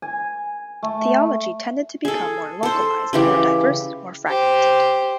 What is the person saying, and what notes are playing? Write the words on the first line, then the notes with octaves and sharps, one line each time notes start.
Theology tended to become more localised, more diverse, more fragmented.
G#5
A3
G#4 A4
A4 C5
C#3 E3 G4
G4 C5